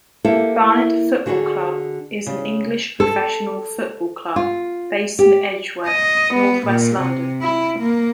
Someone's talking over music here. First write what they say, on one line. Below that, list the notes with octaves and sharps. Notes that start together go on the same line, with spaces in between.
Barnet Football Club is an English professional football club based in Edgware, north-west London.
A#3 E4 G4 A4
D3 F#4 G#4 A4 D5
C#3
A4
F4
G4
D#5
B3
A#2
C3
E4
A#3